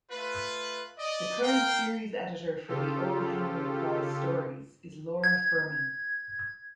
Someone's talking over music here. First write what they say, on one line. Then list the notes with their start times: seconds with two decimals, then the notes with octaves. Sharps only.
The current series editor for "The O. Henry Prize Stories" is Laura Furman.
0.11 A3 F4 B4
0.98 D5 D#5
1.43 A#4 F5 G5
2.68 C#3 F4 G4 A4
5.24 G#6